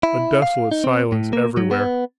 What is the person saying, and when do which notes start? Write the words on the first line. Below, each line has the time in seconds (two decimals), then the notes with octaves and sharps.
A desolate silence everywhere.
0.03 E4
0.42 F5
0.72 D#4
0.84 C4
1.12 A2
1.33 A#3
1.57 F#3
1.71 B3